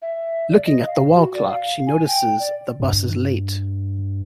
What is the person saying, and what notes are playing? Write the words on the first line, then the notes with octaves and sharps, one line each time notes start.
Looking at a wall clock she notices the bus is late.
E5
D5
D#5
F5
F#4
D5
F5
G#5
G5
D5
G2